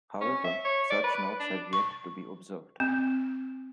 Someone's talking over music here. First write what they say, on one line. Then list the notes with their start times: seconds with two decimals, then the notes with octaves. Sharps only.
However, such knots have yet to be observed.
0.21 C#4
0.44 E5
0.65 C#5
0.90 D5
1.04 B4
1.40 D4
1.73 C#6
2.80 C4